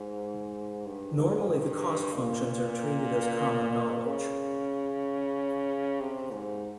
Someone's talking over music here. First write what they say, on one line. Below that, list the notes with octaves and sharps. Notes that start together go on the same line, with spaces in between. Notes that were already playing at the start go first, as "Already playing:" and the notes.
Normally the cost functions are treated as common knowledge.
Already playing: G#2
G2
G#2
G2
A#2
C#3
C3
G#2